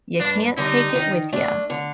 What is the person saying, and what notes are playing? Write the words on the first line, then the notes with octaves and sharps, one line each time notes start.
"You can't take it with ya.
G2 D4
D3 G3 D#4
D#3
A3 D4
D3